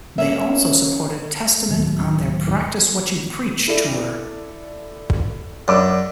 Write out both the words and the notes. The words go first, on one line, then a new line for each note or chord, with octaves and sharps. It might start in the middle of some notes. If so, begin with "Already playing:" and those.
They also supported Testament on their "Practice What You Preach" tour.
A#3 C#4 E5
D1 D#2 F#3
E4 A4 D5
F#2 D5 D6 E6